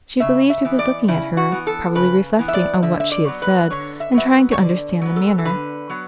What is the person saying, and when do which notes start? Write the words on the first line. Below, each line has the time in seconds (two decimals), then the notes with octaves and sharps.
She believed he was looking at her; probably reflecting on what she had said, and trying to understand the manner.
0.20 C#3 E5
0.50 E5
0.65 E3 B3
0.79 D5
1.08 C#3 E4
1.37 F#4
1.52 E3 B3
1.67 A4
1.95 C#3 B4
2.39 E3 B3
2.48 E5
2.54 D5
2.82 D3 E5
3.00 E5
3.12 D5
3.27 F#3 B3
3.42 B4
3.70 D3 C#5
4.00 E5
4.14 F#3 B3 E5
4.52 C#5
4.58 D3 D5
5.01 F#3 B3
5.16 A4
5.38 A4
5.45 D3 B4
5.89 F#3 B3